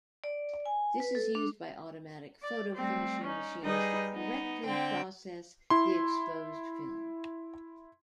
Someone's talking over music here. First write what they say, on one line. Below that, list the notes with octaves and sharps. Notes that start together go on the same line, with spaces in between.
This is used by automatic photo-finishing machines to correctly process the exposed film.
D5
G#5
B4
A4
D4
D5
G3 A3 C4
C#4 D#4
G3 D#4 G#4 B4 D#5
B3 D#4
D3 C4 G5
E4 C6